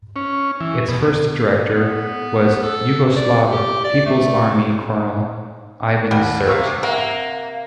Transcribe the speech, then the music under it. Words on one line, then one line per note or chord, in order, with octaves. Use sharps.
Its first director was Yugoslav People's Army colonel Ivan Sert.
C#4
E3
B2
B3
A4
D5
G4
D5
A3
D#2 G3 F#5
C3 F5 C#6 E6
C3 A#3 F#5